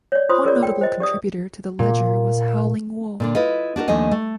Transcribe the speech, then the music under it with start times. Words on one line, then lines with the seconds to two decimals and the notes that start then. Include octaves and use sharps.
One notable contributor to the ledger was Howling Wolf.
0.12 C#5 D5
0.29 F4 C5 B5 C6 D#6
0.44 G#4 A#4 C#5 D5
0.63 G5
0.81 C5 D#5
1.00 G4 D5 D#6
1.79 A#2
3.20 A#2 D3 D4
3.35 E4 F4 B4 D#5
3.76 D4 F#4 G4 A#4
3.88 D#2 F3 A3 D4 D#5 G#5
4.11 A3